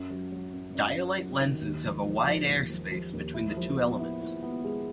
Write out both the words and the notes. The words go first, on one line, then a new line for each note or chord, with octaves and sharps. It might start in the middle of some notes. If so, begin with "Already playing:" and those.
Dialyte lenses have a wide air space between the two elements.
Already playing: F#2
F#3
F#3
F#2
F#2
F#2
F#3
D#3
D#2
F3
F3
F3
D#2
F3
F3
D#2
E4
F3
B3
E4
E4
B3
G#3